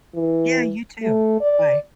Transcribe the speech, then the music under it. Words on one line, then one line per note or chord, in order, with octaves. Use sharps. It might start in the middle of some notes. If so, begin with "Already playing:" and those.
Yeah, you too. Bye.
E3
A3
D5